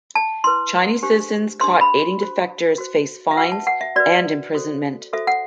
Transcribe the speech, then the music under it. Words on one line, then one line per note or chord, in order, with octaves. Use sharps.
Chinese citizens caught aiding defectors face fines and imprisonment.
A5
E4 B4 C6
D4 G4 C5
D4 G4 C5 C6
B5
F#4 C5
F#4 C5
E5
F#4 B4 F#5
A5
F#5
E5
F#4 B4 D5
F#4 A4 C5
F#4 A4 C5 E5
F#5